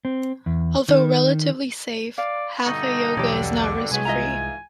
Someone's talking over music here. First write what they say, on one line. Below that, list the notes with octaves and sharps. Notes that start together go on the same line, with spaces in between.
Although relatively safe, Hatha Yoga is not risk free.
C4
E2
D#3
D5 F5
G2 B2 D3 D#4 C#6
B1 E2 G4 C#5
D5
C2 A2 F#3 G#3 B3 G#5
G#2 E3 F4 D#5 E5 A#5